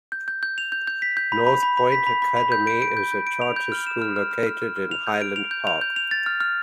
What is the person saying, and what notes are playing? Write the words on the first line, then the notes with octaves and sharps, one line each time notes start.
Northpointe Academy is a charter school located in Highland Park.
G6
G6
G6
F7
G6
G6
B6
G6
B5
B5
B5
B5
B6
B5
B5
B5
G6
D7
D7
G6
G6
D7
F7
G6
F6
E7
F6
F6
F6
F6
F6
F6
F7
G6
D7
F7
G6
F7
G6
F7
A6
F6
F6